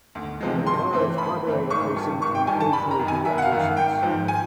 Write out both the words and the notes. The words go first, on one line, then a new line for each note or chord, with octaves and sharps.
In cars, carburetor icing can occasionally be a nuisance.
D2
C3 F3 G#3
G2 C6
E3 A3 C4
G2 B5
E3 A3 C4
G#1 C#6
G2 D#3 G3
G#1 C#6
G5
G2 D#3 G3 G#5
A5
F#1 B5
A#5
F#2 D#3
G#5
F#1 E5
F#5
F5
F#2 D#3
F5
G#1 G5
G#2 F3
G#5